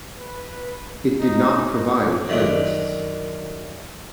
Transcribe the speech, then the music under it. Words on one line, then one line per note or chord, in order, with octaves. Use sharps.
It did not provide playlists.
B4
D#4
F#2 D#3 A3 D4